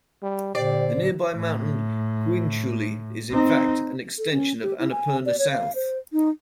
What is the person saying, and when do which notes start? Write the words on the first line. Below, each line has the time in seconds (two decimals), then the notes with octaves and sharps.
The nearby mountain Hiunchuli is in fact an extension of Annapurna South.
0.23 G3
0.55 A#2 D3 G4 C5 D5
1.35 A2
3.31 C4 D#4
4.18 A4
4.32 C#4
4.63 G4
4.79 E4
4.91 G#5
5.26 D5
5.39 C#5
5.51 F5
5.75 C5
6.13 D#4